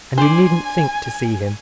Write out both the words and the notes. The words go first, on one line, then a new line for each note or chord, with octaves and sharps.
And you needn't think to see him.
D4 C5 D5 G#5